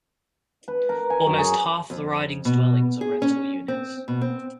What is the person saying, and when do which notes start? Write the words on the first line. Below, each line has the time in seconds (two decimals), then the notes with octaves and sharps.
Almost half the riding's dwellings are rental units.
0.68 B4
0.89 A#4
1.10 G#5
1.26 F#2
1.38 G#4
1.90 F2
2.45 B2
3.01 G#4
3.22 C#4
3.68 C4
4.08 B2
4.21 C4